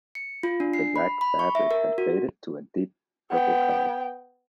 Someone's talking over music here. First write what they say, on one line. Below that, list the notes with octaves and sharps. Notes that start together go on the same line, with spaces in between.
The black fabric had faded to a deep purple colour.
C#7
F4
D4
C7
B5
B5
C#6
E5
A#4
F#4
B3 G5